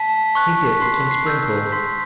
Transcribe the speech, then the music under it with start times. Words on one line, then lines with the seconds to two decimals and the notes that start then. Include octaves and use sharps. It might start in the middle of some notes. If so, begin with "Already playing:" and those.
He dipped and sprinkled.
Already playing: A5 B6
0.35 C#6 F#6
0.73 B6
0.81 C6 C7
1.11 C7
1.27 E6 G6
1.72 C6 B6